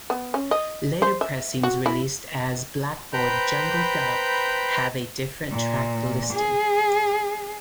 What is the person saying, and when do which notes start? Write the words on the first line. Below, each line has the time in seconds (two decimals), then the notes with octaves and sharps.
Later pressings released as "Blackboard Jungle Dub" have a different track listing.
0.10 B3
0.34 C#4
0.51 D#5
1.02 C5
1.21 E5
1.63 F#4
1.86 E4
3.13 B4 C5 G5 A#5 B5 G6
5.51 A#2
6.33 G#4